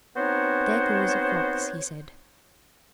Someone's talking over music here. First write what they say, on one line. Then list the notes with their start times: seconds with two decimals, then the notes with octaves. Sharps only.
"There goes a fox," he said.
0.16 B3 C4 D#4 F#4 C5 C#5